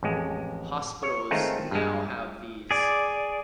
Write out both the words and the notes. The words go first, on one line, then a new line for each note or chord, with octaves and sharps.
hospitals now have these,
A1 F2 G#3
C#5
D#3 G#3 A3 C4 D#4 F4
G2 G#3
G#4 D5